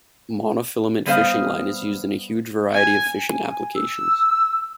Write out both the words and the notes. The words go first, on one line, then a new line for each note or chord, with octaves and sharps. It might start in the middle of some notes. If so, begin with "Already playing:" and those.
Monofilament fishing line is used in a huge variety of fishing applications.
G3 B3 C5 D#5 F5
G#5
G#5
G#5
E6